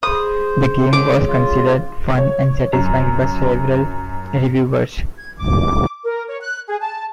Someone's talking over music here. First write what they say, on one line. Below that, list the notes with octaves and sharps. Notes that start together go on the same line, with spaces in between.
The game was considered fun and satisfying by several reviewers.
G#4 C5 D#6
F#3 G#3 C#4 D6
F4
C#5
F#2
G#6
D6
A#4
C#5
F#6
G#4
A5